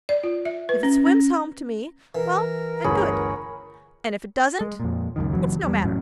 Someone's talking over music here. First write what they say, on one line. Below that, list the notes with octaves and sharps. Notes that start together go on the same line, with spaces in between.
If it swims home to me, well and good; and if it doesn't, it's no matter.'
D5
F4
E5
B4
C#4
C#4
E3 A#4
G1 D2 G2 G#4 C#5 B5
G#3
F2 A#2
C#2 F#2 D#3
F#1 E3 F#3
E2 G3
F1 A2 F#3 C#4